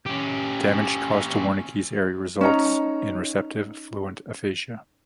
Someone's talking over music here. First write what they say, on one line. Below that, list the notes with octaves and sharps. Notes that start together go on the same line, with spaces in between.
Damage caused to Wernicke's area results in receptive, fluent aphasia.
C#4 G4
C#4 D#4 A#5